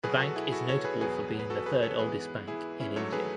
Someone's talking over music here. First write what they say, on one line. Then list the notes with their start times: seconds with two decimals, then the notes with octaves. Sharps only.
The bank is notable for being the third oldest bank in India.
0.03 B2 F#3 B3 G#4 B4
0.19 F#4 A4
0.36 E4 G#4
0.47 G#4
0.52 F#4 A4
0.68 A4 C#5
0.84 G#4 B4
1.01 E2 B2 F#3 B3 G#4 B4
1.39 B4
1.50 F#4 A4
1.66 G#4 B4
1.82 A4 C#5
1.98 G#2 E3 B3 G#4 B4
2.47 E4 G#4
2.80 C#4 E4
2.96 G#2 F#3 A3 A4 C#5
3.12 G#4 B4